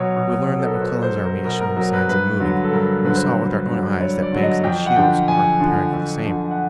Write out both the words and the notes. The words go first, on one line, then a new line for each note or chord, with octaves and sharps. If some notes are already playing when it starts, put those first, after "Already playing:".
We learned that McClellan's army is showing signs of moving, and we saw with our own eyes that Banks and Shields are preparing for the same.
Already playing: B2 F#3 C#5
B2
F#3
A4
A#4
B4
B2 C5
C5
F#3
A#4
B2 A#4
A#4
F#3 A#4
B4
G2 B4
D3 F#3
A4
G2 A#4
D3 F#3 B4
C5
G2
D3 F#3
D5
G2 C#5
D5
D3 F#3
D#5
F2 G5
F#5
D3 F3 G5
F2 G#5
D3 F3
F2
D3 F3
F#5